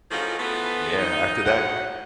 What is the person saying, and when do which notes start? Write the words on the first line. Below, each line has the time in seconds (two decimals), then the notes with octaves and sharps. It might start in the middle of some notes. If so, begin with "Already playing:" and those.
Yeah, after that
0.11 F#2 A2 F3 D#4 F4 G#4
0.39 E3 F3 A3 B3
0.98 D#4
1.45 D2 F#5